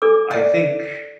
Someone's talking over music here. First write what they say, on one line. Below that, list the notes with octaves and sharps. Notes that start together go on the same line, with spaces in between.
I think,
D4 A4 D6
D5